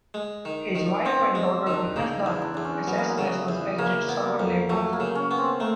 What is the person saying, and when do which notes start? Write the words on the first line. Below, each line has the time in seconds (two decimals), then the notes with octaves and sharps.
His wife and daughter witnessed the assassination as did several neighbors.
0.14 G#3
0.45 D#3
0.75 D#3
1.05 B3 C4
1.35 G#3
1.67 D#3
1.74 D4
1.96 C#3 D#4
2.19 E4
2.26 E2
2.42 D4
2.54 E2 D4
2.64 C#4
2.87 F#3 B3
2.98 A#3
3.09 B3
3.18 C#3
3.48 E2
3.78 C#3 A#3
4.09 B3
4.40 F2
4.69 F#3 A3
4.93 A#3
5.00 C#3
5.15 C#4
5.31 B3
5.38 C4
5.60 A3 A#3